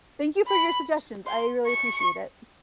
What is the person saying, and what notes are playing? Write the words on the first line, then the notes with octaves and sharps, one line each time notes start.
Thank you for your suggestions, I really appreciate it.
B5
C6
C#6